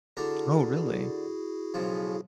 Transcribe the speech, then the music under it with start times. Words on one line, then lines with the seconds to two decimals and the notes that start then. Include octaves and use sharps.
Oh, really?
0.17 D3 D4 E4 F#4 G#4 A#4
1.74 B1 C#3 F3